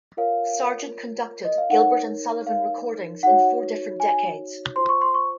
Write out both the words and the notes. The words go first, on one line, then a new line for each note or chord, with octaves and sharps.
Sargent conducted Gilbert and Sullivan recordings in four different decades.
F4 A#4 C#5 F5
D#5
F5
D#4 A#4 C#5 F#5
F5
D#4 F#4 C#5 F#5
G#5
F4 C5 C6
C#6
C6
C#6